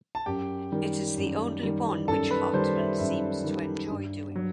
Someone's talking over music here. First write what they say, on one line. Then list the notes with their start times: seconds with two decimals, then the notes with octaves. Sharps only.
It is the only one which Hartman seems to enjoy doing.
0.15 A5
0.26 F#2 G4 G5
0.72 D#3 G3
1.17 F#2
1.63 D#3 G3
2.08 F#2 A4 A5
2.30 B4 B5
2.53 D#3 G3 C5 C6
2.76 E5
2.99 F#2 E5
3.44 D#3 G3
3.90 G2
4.36 F#3